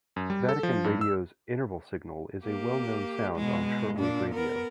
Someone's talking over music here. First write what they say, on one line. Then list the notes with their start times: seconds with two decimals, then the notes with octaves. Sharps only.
Vatican Radio's interval signal is a well-known sound on shortwave radio.
0.16 F#2
0.30 G3
0.49 A4
0.63 F3
0.84 G2
1.01 E6
2.44 A#3 G4
3.34 B2 G#3
3.96 A#2 D4
4.34 B3 A#4